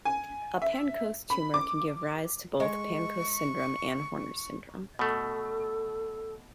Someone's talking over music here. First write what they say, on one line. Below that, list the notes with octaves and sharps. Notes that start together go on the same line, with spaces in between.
A Pancoast tumor can give rise to both Pancoast syndrome and Horner's syndrome.
G#5
E5
B5
D6
G#3 C#6
B2 A3 A4